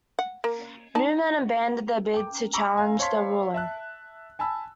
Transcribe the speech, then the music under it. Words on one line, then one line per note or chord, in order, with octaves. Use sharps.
Newman abandoned a bid to challenge the ruling.
F#5
A#3
D#4 D5 A5
G5 D6
A#5 B5 C#6 D6 E6
F5 G#5 A#5
C5 C#5 F5 A5 C6 B6
E5 A5 F#6
G#5 A5 B5 E6